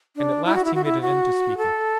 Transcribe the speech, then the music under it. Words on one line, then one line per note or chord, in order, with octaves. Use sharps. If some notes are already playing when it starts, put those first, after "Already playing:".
And at last he made an end to speaking.
D4
E4
F#4
E4
F#4
E4
F#4
A4